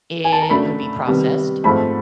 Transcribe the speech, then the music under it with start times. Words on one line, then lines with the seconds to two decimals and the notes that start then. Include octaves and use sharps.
it would be processed,
0.24 G#5
0.32 A5
0.41 A#5
0.50 C#3 F#3 A3 D4 B5
1.07 C3 D#3 G3 B3
1.64 G#2 F3 A3 C4 B5